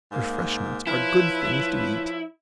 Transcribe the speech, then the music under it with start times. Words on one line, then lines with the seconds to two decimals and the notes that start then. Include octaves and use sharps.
"Refreshments are good things to eat!"
0.12 G#2 A#3
0.87 F3 E4 B4 C#5